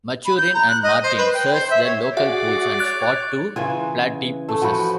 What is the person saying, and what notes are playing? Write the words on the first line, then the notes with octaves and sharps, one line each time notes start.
Maturin and Martin search the local pools and spot two platypuses.
B5
G6
A#5
F#6
D#5
C5
B4
G5
C5
E5
C#5
F#4 G#4 D5 E5 F#5
C#5 F#6 A6
C#3 E3 F4 G#5
A3
E3 F3 F#4 B5